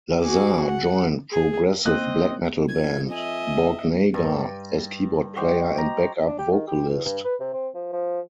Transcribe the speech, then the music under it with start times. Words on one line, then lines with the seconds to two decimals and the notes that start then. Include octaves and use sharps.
Lazare joined progressive black metal band Borknagar as keyboard player and back-up vocalist.
0.21 F#4 G#4 D6
0.64 F#5
1.32 G#4
1.86 A#3 C4 D#5 F#6
2.68 F2 G#6
3.10 D#5 E5 G#5
4.14 G2
5.36 F#4 G4 C5 D#5
5.78 A#5
6.27 D4
6.39 G4
6.51 D#3
6.67 G4
6.89 E2
7.05 G2
7.25 B4
7.40 C3
7.53 C4
7.74 F3
7.92 F3